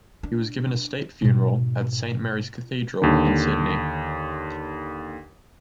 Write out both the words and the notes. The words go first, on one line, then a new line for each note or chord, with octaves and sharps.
He was given a state funeral at Saint Mary's Cathedral in Sydney.
D4
G#2 B2
D#2 D3